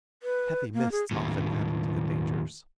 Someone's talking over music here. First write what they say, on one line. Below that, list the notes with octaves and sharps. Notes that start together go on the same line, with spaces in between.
Heavy mists often added to the dangers.
B4
A#3
G#4
D#2 A2